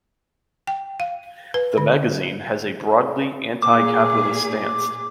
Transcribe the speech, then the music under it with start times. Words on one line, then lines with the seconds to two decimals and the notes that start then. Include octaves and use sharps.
The magazine has a broadly anti-capitalist stance.
0.67 G5
1.00 F5
1.54 B4
1.78 D3
3.62 A#2 G#4 D6